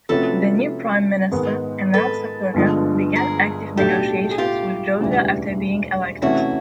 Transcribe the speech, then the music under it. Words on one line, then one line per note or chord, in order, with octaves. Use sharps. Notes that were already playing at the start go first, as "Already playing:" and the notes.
The new prime minister Enele Sopoaga began active negotiations with Georgia after being elected.
C3 F3 A3 C#4 F#4 A4 B4
G#2 D#3 G#3 B3
A4 B4
G1 G2 D3 F3 G#3
G#4 A#4
B1 A2 F#3 A3 D4 G4 A4
G#4
F4 G4
E1 D2 C#3 E3 G3
C3 E3 A3 C#4 E4 F#4